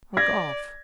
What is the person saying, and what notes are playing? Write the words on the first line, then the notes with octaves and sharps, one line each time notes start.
Or golf?
D5 G#6 A#6